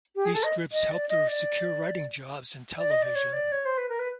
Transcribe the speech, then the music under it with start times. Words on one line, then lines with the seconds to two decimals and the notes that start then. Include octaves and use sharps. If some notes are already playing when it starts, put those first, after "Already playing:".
These scripts helped her secure writing jobs in television.
0.16 G4
0.25 G#4
0.34 A4
0.44 D#5
0.72 D#5
0.91 D5
1.09 D#5
1.28 D5
2.78 D5
2.91 D#5
3.02 D5
3.15 C#5
3.33 D5
3.52 C#5
3.65 C5
3.78 B4
3.89 A#4
3.99 B4